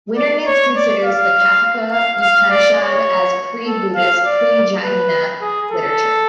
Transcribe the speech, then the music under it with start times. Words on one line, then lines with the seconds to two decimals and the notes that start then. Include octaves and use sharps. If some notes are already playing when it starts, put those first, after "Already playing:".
Winternitz considers the Kathaka Upanishad as pre-Buddhist, pre-Jaina literature.
0.16 D5
0.46 C#5
0.76 D5
1.04 F5
1.91 F5
2.21 F5
2.50 D5
2.80 C#5
3.66 A4
3.95 F5
4.25 D5
4.83 B4
5.41 G#4
5.71 A4